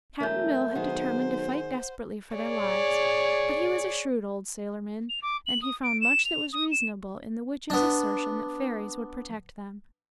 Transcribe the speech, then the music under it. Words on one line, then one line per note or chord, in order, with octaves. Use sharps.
Cap'n Bill had determined to fight desperately for their lives, but he was a shrewd old sailorman and he found much that was reasonable in the Witch's assertion that fairies would protect them.
E1 F#2 A3 A#4 G6
B1 D#3 G#4 C5 F#5
G#4 C#5 D5
F7
D6
F#7
D#6
D7
E7
F7
D#6
E7
B3 D4